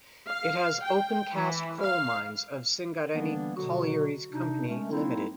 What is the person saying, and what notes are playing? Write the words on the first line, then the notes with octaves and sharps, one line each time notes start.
It has open cast coal mines of Singareni Collieries Company Limited.
F5
G5
E3
F5
D3 E3 G3 A#3 B3 D4
B2 D3 F#3 F#4
C3 D4 D#4
G#3 A3 C#4
F#3 A#3 C4 D#4 E4